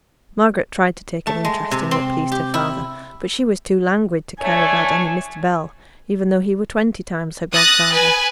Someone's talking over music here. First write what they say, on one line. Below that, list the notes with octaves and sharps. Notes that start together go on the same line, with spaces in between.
Margaret tried to take an interest in what pleased her father; but she was too languid to care about any Mr. Bell, even though he were twenty times her godfather.
A3
G#3
C3
C4
G4
E4
A3 D4 C#5 G#5
D#6 F#6 A6 A#6
B4 G#5